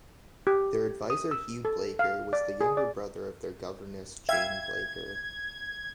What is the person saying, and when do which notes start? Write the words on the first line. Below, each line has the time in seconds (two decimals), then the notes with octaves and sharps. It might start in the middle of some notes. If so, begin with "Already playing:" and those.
Their advisor Hugh Blaker was the younger brother of their governess Jane Blaker.
0.47 G4
1.10 D#6
1.31 E6
1.65 A4
1.99 F5
2.33 D5
2.61 G#4
2.77 D5
4.29 E5 F5 G5 G#6